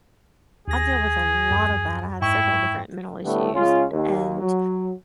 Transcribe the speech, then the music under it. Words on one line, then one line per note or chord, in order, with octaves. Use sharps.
I deal with a lot of that, I have several different mental issues, and
D#2 G#4 A#6
F#2
G#2 E4 G5 C#6
A2 D3 G3 A3 B3
C#3 G#3 C#4 F4
D#2
F#3